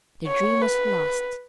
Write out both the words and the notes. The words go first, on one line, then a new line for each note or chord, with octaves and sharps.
Their dream was lost.
C#5
B4